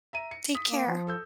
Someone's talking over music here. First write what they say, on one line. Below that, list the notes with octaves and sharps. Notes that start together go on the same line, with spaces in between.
Take care.
E5 A#5 D#7
C#7
D#6 B6
A#3
F3
A4 E6 G6